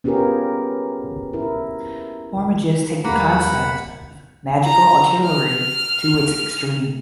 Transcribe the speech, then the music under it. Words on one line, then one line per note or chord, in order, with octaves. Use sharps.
Warmages take the concept of "magical artillery" to its extreme.
B3 C#4 F4 G4 G#4 A#4
E4 A#4
E2 G3 A#3 F#5 B5
A#5
F6